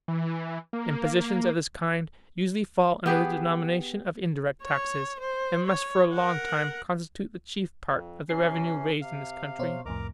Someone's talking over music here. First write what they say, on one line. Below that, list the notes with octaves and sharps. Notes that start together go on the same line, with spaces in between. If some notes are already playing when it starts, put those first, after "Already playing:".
Impositions of this kind usually fall under the denomination of indirect taxes, and must for a long time constitute the chief part of the revenue raised in this country.
E3
A#3
B3 G4 G#4 B4
C#5
C5
C#5
A#4 F#5
F2
C3 E3 C#4 C7
C3 F5
B2 C5 C#5
C2 F2 A2 A#4 A#5 D6